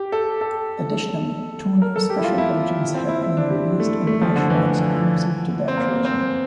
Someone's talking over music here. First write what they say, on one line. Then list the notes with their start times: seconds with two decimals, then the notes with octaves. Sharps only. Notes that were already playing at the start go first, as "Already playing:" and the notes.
Additionally, two new special versions have been released in Asia exclusive to that region.
Already playing: G4
0.12 A4
0.41 A4
1.82 A#4
1.96 A4
2.10 G4
2.18 E4
2.24 F4
2.38 E4
2.94 C4
3.09 E4
3.22 E4
3.37 D4
3.51 G3
3.80 A3
4.07 A3
4.22 F3
4.36 D3
4.50 E3
5.68 C4
5.77 A#3
6.05 C4